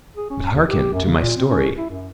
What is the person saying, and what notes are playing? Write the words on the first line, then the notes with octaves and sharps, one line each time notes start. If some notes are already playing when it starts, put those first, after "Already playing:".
But hearken to my story.
G#4
C#4
D#2
G4
F#2
C#3
A#2
C4
C#4
E4
F#2